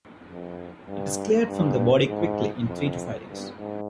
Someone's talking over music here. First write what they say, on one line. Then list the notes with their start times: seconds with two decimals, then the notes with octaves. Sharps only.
It is cleared from the body quickly, in three to five days.
0.28 F2
0.88 G2
1.47 G2
2.08 G#2
2.67 F2
3.27 G2
3.57 G#2